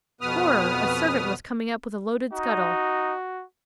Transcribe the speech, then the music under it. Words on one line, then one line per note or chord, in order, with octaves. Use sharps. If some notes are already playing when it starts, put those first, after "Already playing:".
Horror! a servant was coming up with a loaded scuttle.
F2 B2 B3 B4 D#6 F6
D#4 F#4